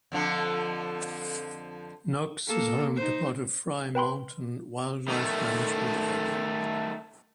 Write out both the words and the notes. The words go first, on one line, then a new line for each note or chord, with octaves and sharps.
Knox is home to part of Frye Mountain Wildlife Management Area.
F2 D3 F3
A#3 A4
D#4 C5
B4 G5 B5 C6
D#3 A3